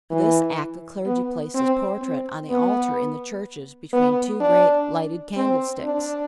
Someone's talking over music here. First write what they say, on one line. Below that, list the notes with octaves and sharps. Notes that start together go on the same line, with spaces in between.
For this act the clergy placed his portrait on the altar in the churches between two great lighted candle-sticks.
E3
B3
C4
C4
B3
B3
D4
C4
D4